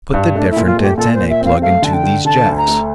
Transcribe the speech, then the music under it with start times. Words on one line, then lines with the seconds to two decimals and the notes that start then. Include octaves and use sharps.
Put the different antennae plug into these jacks.
0.13 G2
0.35 A3 D4
0.51 E4
0.56 A#2
0.66 F4
0.77 A3
0.82 G4
0.98 A#2 A4
1.14 C5
1.19 A#2
1.30 E5
1.41 C4 F5
1.62 A3 F5
1.82 D3 A5
1.93 G5
2.04 D3
2.25 D3 A5
2.47 D2
2.58 A#5
2.67 A3